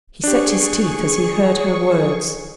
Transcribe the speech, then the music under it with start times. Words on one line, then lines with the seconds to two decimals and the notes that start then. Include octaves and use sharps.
He set his teeth as he heard her words.
0.24 D4 G4 G#4 C#6